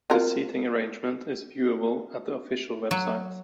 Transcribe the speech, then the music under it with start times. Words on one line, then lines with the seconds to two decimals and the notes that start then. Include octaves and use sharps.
The seating arrangement is viewable at the official website.
0.10 C4 F4 A#4
2.91 F#3